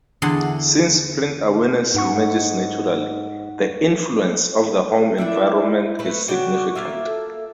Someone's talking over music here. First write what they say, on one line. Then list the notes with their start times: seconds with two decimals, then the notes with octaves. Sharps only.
Since print awareness emerges naturally, the influence of the home environment is significant.
0.22 E2 D3 G#4 A4 F#5 C6
1.95 G#2 D#4 F#5 C#6
5.18 D4 E4 D5 E5
5.99 A3 B4
6.28 C#3 D4 F#4 G5
6.75 A#3 F4 E5
7.06 A4